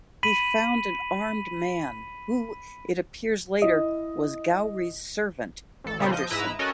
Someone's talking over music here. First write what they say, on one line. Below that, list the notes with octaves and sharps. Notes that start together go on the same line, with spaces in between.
He found an armed man, who, it appears later, was Gowrie's servant, Henderson.
B5 B6 D#7 F#7
E4 D#5
A1 A4
A#2 C#3 G3 B3 C4
F3 D#5 G6
G#2 E4 B4 D#5 A#5 E6
C#4 F#4 A4 A#4 C#5 D#5